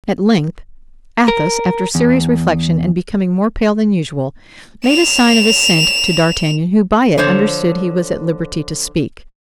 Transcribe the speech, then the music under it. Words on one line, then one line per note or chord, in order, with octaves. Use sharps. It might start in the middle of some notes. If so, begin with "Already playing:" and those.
At length Athos, after serious reflection and becoming more pale than usual, made a sign of assent to d'Artagnan, who by it understood he was at liberty to speak.
A#4
E2
E7 F7
D3 F3 C5 C#5